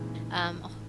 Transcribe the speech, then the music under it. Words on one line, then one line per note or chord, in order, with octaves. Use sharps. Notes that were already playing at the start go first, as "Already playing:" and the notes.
Um, h
Already playing: A#2 C#3 E3 G#3 C4 D#4
A2